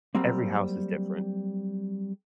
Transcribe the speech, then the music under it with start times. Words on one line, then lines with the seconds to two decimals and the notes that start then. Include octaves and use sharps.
every house is different,
0.15 F#3 G3 A#3 C4